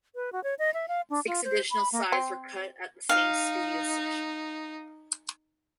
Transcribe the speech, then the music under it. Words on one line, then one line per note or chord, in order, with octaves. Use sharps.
Six additional sides were cut at the same studio session.
B4
F#4
C#5
D#5
E5
F5
D4
F4
C5
B5
A#3
C4
D#4 F5